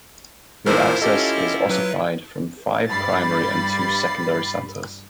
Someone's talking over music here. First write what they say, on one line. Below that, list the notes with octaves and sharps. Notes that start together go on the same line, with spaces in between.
The axis is ossified from five primary and two secondary centers.
A1 E2 A#2 E4 F4 A#4 C5
C#4 G4 A4 D#5
F#3 B4
G2 G3 B5 A6 C7